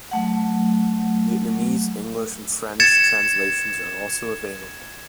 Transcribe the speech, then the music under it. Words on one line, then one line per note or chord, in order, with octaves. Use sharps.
Vietnamese, English, and French translations are also available.
F#3 A3 F#5
G#6 A6 C#7 E7